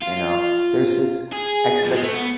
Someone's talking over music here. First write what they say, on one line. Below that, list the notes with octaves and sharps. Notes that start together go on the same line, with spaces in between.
you know, there's this expect
F4
G#4
F3
G#3
A3
B3